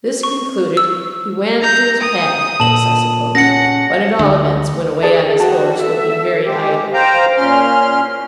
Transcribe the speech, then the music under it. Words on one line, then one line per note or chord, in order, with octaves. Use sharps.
This concluded, he went to his Patent place, I suppose; but at all events went away on his horse, looking very idle.
C#6
E6
A#5 G6
D#6
A#2 A4 A5 F#7
C#4 F#5 A#6 C#7
D2
G#4 D5 A5
F#4 G4 A5
A4 E5
G#3 G4
C5 F5 G5 A#5
A#2 C#4 C6 F6